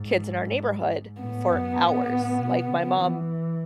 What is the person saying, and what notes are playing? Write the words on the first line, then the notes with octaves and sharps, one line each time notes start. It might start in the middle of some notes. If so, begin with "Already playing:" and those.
kids in our neighborhood for hours, like, my mom
Already playing: G#2
A2 B3
F#2
A2
A2
B2
C#3
E3